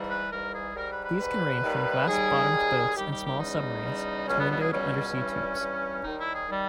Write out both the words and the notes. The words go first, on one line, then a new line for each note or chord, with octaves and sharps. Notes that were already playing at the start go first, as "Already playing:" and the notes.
These can range from glass-bottomed boats and small submarines, to windowed undersea tubes.
Already playing: G#2 E3 G3
B4
G#2 E3 G3 A#4
G#4
G#2 G3 A#4
B4
B4
G#2 G3 B4
D#2 D#3 G3
D#2 D#3 G3 G#4
D#2 D#3 G3
D#2 D#3 G3 G4
G4
G4
E2 C#3 G3 D#4
E2 C#3 G3
C#2 B2 G3 C#4
B3
B3
G#4
C#2 B2 G3 C#4
G2 E3 G3
G2 E3 G3
D#2 D#3 G3 D#4
E4
G#4
D#3 G3